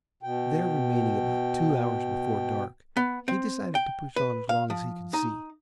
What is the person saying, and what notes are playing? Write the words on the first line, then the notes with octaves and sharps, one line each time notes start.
There remaining about two hours before dark, he decided to push on as long as he could see.
B2 G5
B3
C4
G5
B4
F5
F3
D#4